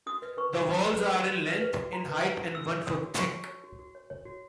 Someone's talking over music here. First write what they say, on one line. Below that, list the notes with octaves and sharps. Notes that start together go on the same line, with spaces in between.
The walls are in length, in height and one foot thick.
F#4 D#6
B4
B4 C#6
F#4
F#4 B5
B4
B4
F#4
F#4
B4
B4
F#4
F#4 A#5
B4
B4 F#5
F#4
F#4 E6
C#5
C#5 D#6
F#4
F#4 C#6
C#5
C#5
F#4
F#4
C#5
C#5
F#4